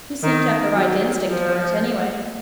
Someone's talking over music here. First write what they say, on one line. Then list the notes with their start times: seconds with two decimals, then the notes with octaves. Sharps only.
"You seem to have the right instinct for it, anyway."
0.23 D#3
0.76 F#3
1.28 F3